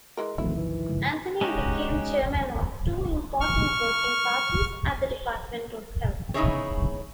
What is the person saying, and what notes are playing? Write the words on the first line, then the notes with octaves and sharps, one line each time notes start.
Anthony became chairman of two important working parties at the department of health.
E3 G#3 A#4
D1 G#1 D2 D#3 F3 E4
E3
G2 C#3 G#3
G#3 C#4 D#4 F#4 G4
C#6 F6
C#3 B3 D#4 E4 G#4 C#5